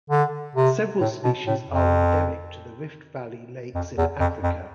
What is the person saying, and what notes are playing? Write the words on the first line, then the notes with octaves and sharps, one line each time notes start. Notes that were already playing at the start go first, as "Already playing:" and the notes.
Several species are endemic to the Rift Valley lakes in Africa.
D3
C3
A2
B2
A2
F2
F2
E2
F2
F2